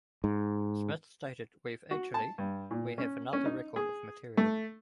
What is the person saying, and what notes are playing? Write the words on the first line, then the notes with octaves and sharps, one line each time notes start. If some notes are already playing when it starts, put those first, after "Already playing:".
Smith stated We've actually, we have another record of material.
G#2
F#4
A5
G2
A#2
C#4
C#4
D#4
G#4
A3